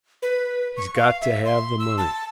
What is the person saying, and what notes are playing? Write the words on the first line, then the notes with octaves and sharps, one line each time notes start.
He's got to have the money.
B4
C#6
F5
E5
C6
E6
A5